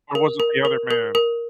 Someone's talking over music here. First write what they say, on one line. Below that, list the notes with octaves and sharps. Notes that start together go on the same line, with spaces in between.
Or was it the other man?
A#4
A#4
A#4
A#4
A#4